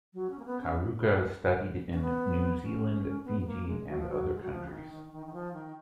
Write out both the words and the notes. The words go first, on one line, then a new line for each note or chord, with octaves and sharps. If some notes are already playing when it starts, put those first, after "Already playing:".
Kauraka studied in New Zealand, Fiji and other countries.
F#3
C#4
A#3
B3
C#4
C#4
B3
C#4
B3
B3
A#3
G#3
F#3
F3
F#3
G#3
F#3
F3
C#3
D#3
D#3
D#3
D#3
F3
D#3